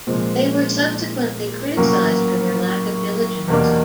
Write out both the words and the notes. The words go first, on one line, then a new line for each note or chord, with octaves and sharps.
They were subsequently criticized for their lack of diligence.
A#2 F3 G#3 C4
A2 F#3 A#3 C#4
E2 B2 G3 A#3 D4